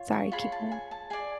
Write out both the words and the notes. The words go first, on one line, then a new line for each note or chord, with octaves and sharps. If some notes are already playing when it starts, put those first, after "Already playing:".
sorry, keep going.
Already playing: F4 C#5
C#6
F4 G#4 C#5 B5
A5
G#5
A5
G#4 D5 G#5